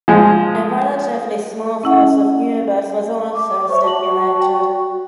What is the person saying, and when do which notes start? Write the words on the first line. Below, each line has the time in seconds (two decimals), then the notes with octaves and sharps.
A relatively small force of U-boats was also stipulated.
0.08 F3 G#3
1.84 C#4 E4 F#5
3.35 D6
3.69 C5 C#5 E5 C#6
3.84 F#4 A5 F#7
4.41 G5